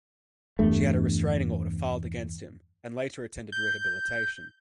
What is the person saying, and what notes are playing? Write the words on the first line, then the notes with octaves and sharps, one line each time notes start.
She had a restraining order filed against him, and later attended rehabilitation.
E2 G2 A3
G6